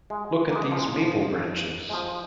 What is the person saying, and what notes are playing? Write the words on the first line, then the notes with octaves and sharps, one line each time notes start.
Look at these maple branches.
G#3
A#3
G#3
F3
G#3
F3
G#3
F3